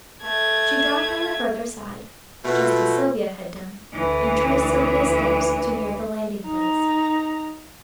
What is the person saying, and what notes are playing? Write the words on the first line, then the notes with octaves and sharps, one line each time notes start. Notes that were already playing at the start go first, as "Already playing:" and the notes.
She dropped on the further side, just as Sylvia had done, and traced Sylvia's steps to near the landing-place.
A3 G#6
B2 A3 F4
D2 E3
D#4 A#5